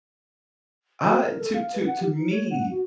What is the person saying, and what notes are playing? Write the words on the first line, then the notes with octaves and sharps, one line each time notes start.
Uh, i to to to me
F#4
A#4
A4
F5
B4
F#5
G4
D#4
C#5
F#5
F#4